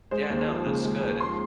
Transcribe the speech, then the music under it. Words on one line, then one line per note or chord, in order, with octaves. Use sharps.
Yeah, no, that's good.
G#3 C5
D#2
F3
C#3
G#3
D#2
F3 C6